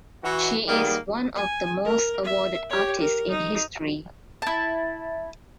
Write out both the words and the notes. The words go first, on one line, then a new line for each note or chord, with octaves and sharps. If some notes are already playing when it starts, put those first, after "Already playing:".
She is one of the most awarded artist in history.
E3 F#4
D#3 G3 G#3 A#3 B3
G#5
A#4
E5
G4 C#5
A#4
D#4
E4 A5